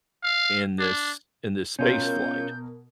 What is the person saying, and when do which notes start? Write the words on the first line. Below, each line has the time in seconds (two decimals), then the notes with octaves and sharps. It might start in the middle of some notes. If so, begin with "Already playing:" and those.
in this in this spaceflight
0.24 F5
0.79 D4
1.79 B2 C#4 F4 A#4 G6